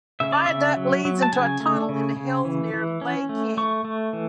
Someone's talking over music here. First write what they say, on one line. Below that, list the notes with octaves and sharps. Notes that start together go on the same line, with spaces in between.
The viaduct leads into a tunnel in the hills near Lai King.
C#3 E5
D5
C#3 E5
F#3
F#3
A5
C#3 G#5
A3
C#3
C#3
E3
E3
C#4
A3
A3 C#6
A3
E3